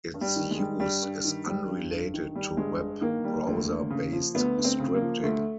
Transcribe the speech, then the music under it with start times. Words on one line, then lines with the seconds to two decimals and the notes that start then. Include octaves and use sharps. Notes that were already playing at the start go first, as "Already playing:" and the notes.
Its use is unrelated to web browser-based scripting.
0.14 G2
0.21 G3
0.36 D#3
0.51 G#3
0.58 G3
0.80 G2 G3
1.02 G2
1.24 D#3
1.47 G3
1.68 G2
1.91 G2
2.14 D#3
2.35 G3
2.57 G2 G#3
2.79 G2
3.01 D#3 A#3
3.24 G3
3.47 D2
3.68 D2
3.90 C#3
4.13 F3
4.34 D2 B3
4.57 D2
4.64 C4
4.79 C#3
4.95 A#3
5.01 F3
5.23 D2 A3